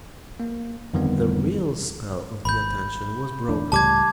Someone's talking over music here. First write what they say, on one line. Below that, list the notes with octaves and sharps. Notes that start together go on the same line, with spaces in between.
The real spell of the attention was broken.
A#3
F2 D3 D#3 G3 B3
G#1 B5 G6
D1 E2 D4
C#2 A2 G3 A5 D6 G#6